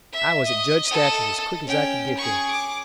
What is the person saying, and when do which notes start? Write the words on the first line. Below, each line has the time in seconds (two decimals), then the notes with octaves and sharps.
I was at Judge Thatcher's as quick as I could get there.
0.13 E5
0.45 D#5
0.87 A4 D#5
1.66 C#4 G5
2.17 G#4 C#6
2.51 D6